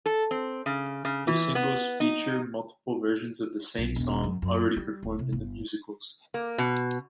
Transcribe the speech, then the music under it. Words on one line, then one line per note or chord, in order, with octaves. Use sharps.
The singles feature multiple versions of the same song, already performed in the musicals.
A4
C4
C#3
C#3
E3
B3
D#4
B1
E1
F#2
F#2
G3
D#1
C3
G1
A#3
B2